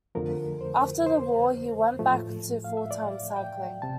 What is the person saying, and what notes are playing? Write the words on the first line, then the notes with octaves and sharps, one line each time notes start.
After the war, he went back to full-time cycling.
F2 D3 F3 A3 A#4
C5
C5
A2 F3 A3
F5
E5
D5
G5
C3 A5